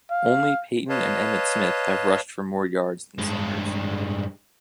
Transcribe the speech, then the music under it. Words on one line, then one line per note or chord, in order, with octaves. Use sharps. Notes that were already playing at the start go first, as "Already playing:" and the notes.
Only Payton and Emmitt Smith have rushed for more yards than Sanders.
F5
B4 C#5 D#5 F5 A5
G2 G#3